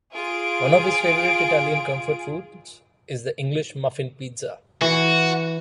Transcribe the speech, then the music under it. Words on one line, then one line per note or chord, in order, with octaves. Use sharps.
One of his favorite Italian comfort foods is the English muffin pizza.
F4 G#4 D7
E3 F#4